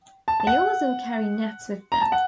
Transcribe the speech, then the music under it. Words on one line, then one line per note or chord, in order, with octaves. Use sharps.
They also carry nets with them.
A5
A5
F#5
A#5
A5
F#5